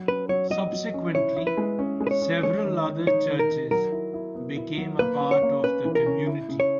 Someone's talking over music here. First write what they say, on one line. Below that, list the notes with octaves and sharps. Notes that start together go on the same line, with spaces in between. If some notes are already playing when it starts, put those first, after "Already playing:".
Subsequently, several other churches became a part of the community.
Already playing: F#3
C#4 B4
F#3 C#5
F#3 D#5
F#3
C#4
E4 C#5
E4
B4
G#3
C#4
G#3
B4
C#5
C#4
G#3 C#5
D#3
D#3
D#4 C#5
D#3
A#4
D#3
F#3 A#4
E4
E4
B3
E4
F#3
A#3 B4
C#4
C#5
A#3
C#4 B4
E3
A#4
C#4
E4
C#3
C#5